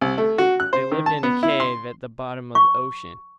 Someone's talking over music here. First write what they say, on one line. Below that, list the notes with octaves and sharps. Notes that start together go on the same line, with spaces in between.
They lived in a cave at the bottom of the ocean.
C2
A3
F#4
F#6
C5
D#3
A5
B3
E4
C6
C#6